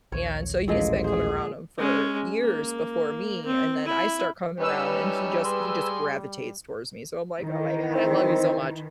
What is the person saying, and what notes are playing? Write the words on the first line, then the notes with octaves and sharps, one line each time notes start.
and so he's been coming around him for years before me, and then I start coming around and he just he just gravitates towards me. So I'm like, "Oh my god, I love you so much."
A#1 D#2 C#5
A1 A#2 F3 G#3
G#4 C5
G#3 C#4
A#3
C4
E4
G3 C#4 D#4 B4 E6
G#4 C6
D#3 E3
C4